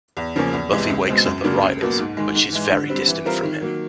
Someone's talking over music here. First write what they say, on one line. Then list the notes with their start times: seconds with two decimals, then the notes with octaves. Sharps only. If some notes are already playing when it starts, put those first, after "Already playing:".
Buffy wakes up at Riley's, but she's very distant from him.
0.17 E2
0.36 C#3 F3 A#3 C#4
0.53 E2
0.72 C3 E3 G#3
0.90 C#2
1.08 B2 G#3 C4
1.26 F#2
1.44 C#3 F#3 A#3 D4
1.62 C#2
1.81 B2 F#3 A#3
1.98 G#2
2.17 D#3 G#3
2.35 G#2
2.52 E3 G#3
2.72 D3
2.90 G3 C4
3.07 E3
3.25 G3 C4 F4 A#4
3.43 D#3
3.62 F#3 A#3